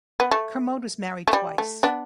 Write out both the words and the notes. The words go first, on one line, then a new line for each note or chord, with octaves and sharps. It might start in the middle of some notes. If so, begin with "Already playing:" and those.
Kermode was married twice.
B3
A3
A3
G3
A3
B3 D4